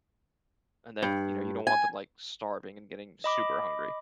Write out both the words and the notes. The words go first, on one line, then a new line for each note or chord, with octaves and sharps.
and then, you know, you don't want them, like, starving and getting super hungry.
G2
G#5
D#5 B5 D6